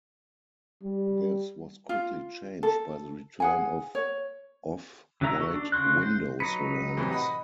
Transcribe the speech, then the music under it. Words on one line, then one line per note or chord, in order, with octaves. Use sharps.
This was quickly changed by the return of off-white window surrounds.
G3
F4
A4
G#4 F#5 G#5
C#5
D3 F#3 D#4 E5 A#5
F#4 A4
D4
C#3 F#4 C6 F#6
C5
F#3 D#4 B4 C#7
A2 C3 E3
D#5 F#5 B5